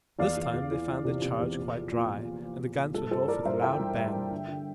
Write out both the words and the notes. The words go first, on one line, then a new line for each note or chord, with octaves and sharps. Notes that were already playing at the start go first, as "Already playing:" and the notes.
This time they found their charge quite dry, and the guns went off with a loud bang.
E2 D5 F5
E2
E2
E3
E3
C3
C3
E2
A#2
F3
A#2
F3
F3
F3
A#2
F3
G2 A4
G2 A4 C5
E3 A#4 D5
G2 C5 E5
E3 E5 G5
G2
G3
G2
D3
D3